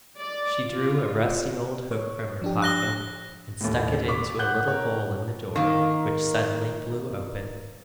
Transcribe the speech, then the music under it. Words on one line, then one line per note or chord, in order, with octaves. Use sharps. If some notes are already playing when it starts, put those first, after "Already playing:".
She drew a rusty old hook from her pocket and stuck it into a little hole in the door, which suddenly flew open.
D5
F4
C#5
F3 D4 G4
F#6 A#6 G7
D#2 A2
C#6 D6 B6
F#5 F#6 G6
A#4 C#5
D#3 A#3